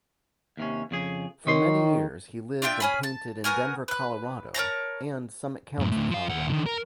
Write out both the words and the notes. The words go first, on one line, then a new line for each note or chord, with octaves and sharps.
For many years he lived and painted in Denver, Colorado and Summit County, Colorado.
D#2 C3 C#4
F2 C#3 G#4
D#3 C#5 D#5 C6
D4 F4 E5 G5
C#4 G#4 B5
A5
B3 F#4 A#4 G#5
B4 F#6
A#4 C#5 A5 A#5
F#2 A2
D2 A2
F3 F5
D#2 F#5
D3 D#3
A#4